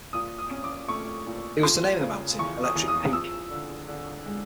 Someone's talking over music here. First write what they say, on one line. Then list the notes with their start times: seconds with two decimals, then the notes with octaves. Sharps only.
He was to name the mountain Electric Peak.
0.13 A#2 D#6
0.38 D#6
0.51 C#4
0.64 D6
0.88 A3 C#6
1.26 A#2
1.63 F3 C6
2.01 C#3
2.39 E2 C#6
2.64 D#6
2.75 E2
2.88 D#6
3.13 F3 E6
3.51 D3
3.88 D3
4.26 G#3